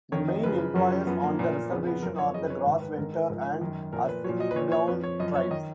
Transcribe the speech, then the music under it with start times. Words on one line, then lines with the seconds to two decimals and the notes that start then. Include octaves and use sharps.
The main employers on the Reservation are the Gros Ventre and Assiniboine tribes.
0.12 F2 D#3 C#5
0.28 D#5
0.43 F#2 C#3 F3 B4
0.75 F#2 C#3 F3 A#4
0.92 C#4
1.07 F#2 F3 B3
1.23 A#3
1.39 A#2 F3 B3
1.55 A#3
1.71 F2 C#3 F3 B3
1.87 B3
2.03 F#2 F3 A#4
2.18 C#5
2.34 F#2 C#3 F3 D#5
2.45 B4
2.50 C#5
2.66 G#2 D#3 B4
2.82 B4
2.98 G#2 D#3 A#4
3.14 A#4
3.30 G#2 F3
3.61 F#2 D#3
3.93 A#2 F3 A#4
4.09 B4
4.24 F3 C#5
4.29 A#2
4.40 D#5
4.51 B4
4.56 A#2 F3 C#5
4.72 C#5
4.88 F2 F3 B4
5.04 C#5
5.20 F#2 F3 D#5
5.36 C#5
5.51 D#3 D#5